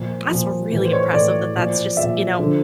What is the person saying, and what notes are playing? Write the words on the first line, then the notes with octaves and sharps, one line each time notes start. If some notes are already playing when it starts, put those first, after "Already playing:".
that's really impressive that that's just, you know"
Already playing: A#2 F3
A#2 F3
A2 E3
C5
C#5
A2 E3 D5
A#2 F3
A#2 F3 E5
D3 F3